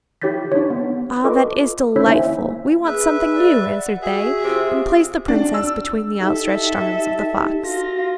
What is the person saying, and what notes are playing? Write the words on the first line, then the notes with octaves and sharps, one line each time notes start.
'Ah, that is delightful; we want something new,' answered they, and placed the princess between the outstretched arms of the fox.
E4 G4 C#5 G6 A6 B6
D4 D#4 C#5
B3
F4 A4 B4 D#5 C#6 D6
C#4 E4 C5 C#5 E6 B6
A#3 D#4 C5 E5 G#5
G#4 B4 E5
D5
F#5
F#4 G#4 E5
C3 F4
D4
E6
D#4 G4 A4 E5
F4 F#4 A#6